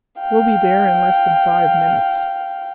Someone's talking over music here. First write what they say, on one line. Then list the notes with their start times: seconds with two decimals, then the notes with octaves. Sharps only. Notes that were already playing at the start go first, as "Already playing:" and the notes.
"We'll be there in less than five minutes."
0.20 F5 G5